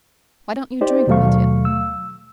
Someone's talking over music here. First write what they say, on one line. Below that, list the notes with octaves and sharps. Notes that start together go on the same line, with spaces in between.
Why don't you drink, Mitya?
D#4 G4 C5 D5
D#2 B2 F#3 A3 F5 C#6
E6